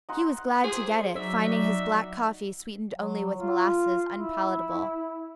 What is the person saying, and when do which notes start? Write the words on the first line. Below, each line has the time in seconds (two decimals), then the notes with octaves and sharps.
He was glad to get it, finding his black coffee sweetened only with molasses unpalatable.
0.09 D#4 F#5 C6
0.64 G#4 C5
1.16 F#3 D#4 F#4 D5 E5
2.93 F#3
3.39 F4
4.16 E4